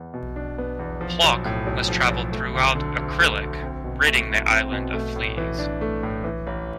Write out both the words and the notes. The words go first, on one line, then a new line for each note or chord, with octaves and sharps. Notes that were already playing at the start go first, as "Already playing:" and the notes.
Plok must travel throughout Akrillic, ridding the island of fleas.
Already playing: E2 B3
B2
D4
B3
E2
F3
B1
A2
B1
F3
B1
A3
D2
D3
D2
A3
D2
C4
B2
A3
E4
C4
B2
A3
A2
E3
D4
A3
A2
E3
A1